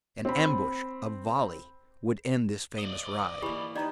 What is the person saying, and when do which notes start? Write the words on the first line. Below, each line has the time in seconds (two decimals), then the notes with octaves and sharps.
An ambush, a volley, would end this famous ride.
0.25 C4 B5
2.79 D5 D#5
3.42 E3 A#3 G4 B5
3.75 D#4 G4 B4 D5 D#5 A#5